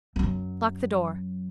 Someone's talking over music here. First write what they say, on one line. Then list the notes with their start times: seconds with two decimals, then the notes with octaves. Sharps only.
Lock the door.
0.16 F#2 F#3